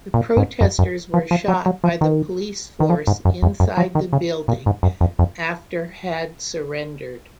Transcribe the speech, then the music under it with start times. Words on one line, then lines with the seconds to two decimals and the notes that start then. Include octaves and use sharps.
The protesters were shot by the police force inside the building after had surrendered.
0.14 A#2
0.37 G#2
0.61 F#2
0.79 F#2
1.14 F3
1.31 F3
1.48 F#3
1.66 F#3
1.84 F3
2.01 D#3
2.80 D#3
2.90 F3
3.07 G#2
3.25 F#2
3.43 F2
3.60 F#2
3.77 F3
3.95 D#3
4.13 C#3
4.48 A#2
4.66 G#2
4.83 F#2
5.01 F2
5.19 F2